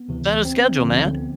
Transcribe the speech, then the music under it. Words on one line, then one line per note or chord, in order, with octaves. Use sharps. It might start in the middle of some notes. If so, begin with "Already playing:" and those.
Set a schedule, man.
Already playing: B3
D2 C3 E3
C4
D2 D3 F3
B3